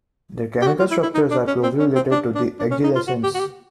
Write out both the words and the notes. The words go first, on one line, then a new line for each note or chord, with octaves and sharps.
Their chemical structures are closely related to the agelasines.
G4
F#4
F4
E4
E4
D#4
D4
C#4
C4
C#4
C4
D4
D4
D4
C#4
D#4
F4
F#4
G4
F#4
G4